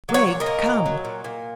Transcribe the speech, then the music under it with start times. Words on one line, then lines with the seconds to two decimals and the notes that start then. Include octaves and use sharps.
"Gregg, come."
0.09 F#3
0.14 C#5 F#5
0.27 A#2
0.40 A#4 D#5
0.46 A#2
0.66 F#3
0.86 F#3
1.05 A#2
1.24 A#2